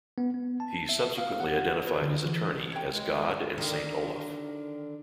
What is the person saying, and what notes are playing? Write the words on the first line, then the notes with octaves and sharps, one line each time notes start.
He subsequently identified his attorney as God and Saint Olaf.
B3
B3
A5
E5
F5
F#5
B4
D3
E3
C#5 G5
G#3
D3 D#3